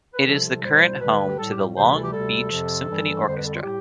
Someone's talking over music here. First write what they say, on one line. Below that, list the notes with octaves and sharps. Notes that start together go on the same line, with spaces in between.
It is the current home to the Long Beach Symphony Orchestra.
B4
C2 C3 F3 A4
A4
C2 B2 G3 C5
D2 D3 G3 B4
G4
A2 G3 A4
G4
D2 C3 E3 G3 C5
B4
A4
G4
D2 C3 G3 A4
F2 C3 F3
G2 E3 G3
F2 D3 G3 C5
B4
A4
F4
A2 G3 G4